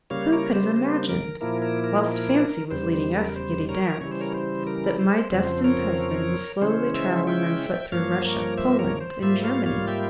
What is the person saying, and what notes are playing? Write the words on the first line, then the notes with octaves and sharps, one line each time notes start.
Who could have imagined, whilst fancy was leading us a giddy dance, that my destined husband was slowly traveling on foot through Russia, Poland, and Germany?
C#3 G3 A#3 C#5 F5
A#4 C#5
C5
C5
A#4
A#2 F3 A#3 E4 A#4
A#4
A#4
A#4
E2 C#3 G3 C5
C5
A#4
C5
A#4 C#5
C#3 E3 G3 C#5
C5
A#4 C#5
C5
A#4
C5
F2 C#3 F3 C4 C5
A#4 C#5
C#3 E3 G#3 C#4 C5
C5 E5
E5 G5
G2 F3 A#3 C#5 F5
A#4 C#5
C5 E5
A#4 C#5
C5
G#2 G3 A#3 F4 C5 E5
C#5 F5
C#5 F5
E5 G5